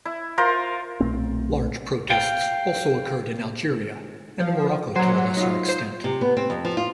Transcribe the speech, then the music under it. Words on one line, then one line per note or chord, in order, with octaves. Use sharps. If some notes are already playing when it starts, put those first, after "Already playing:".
Large protests also occurred in Algeria and Morocco to a lesser extent.
E4
F4 A#4 C5 F5
B1 A#2 A3 C4
F5 G5
F3
A#2 F#3 C5
D#4 F4
C5
C3
B3
C4
F2
F3
F4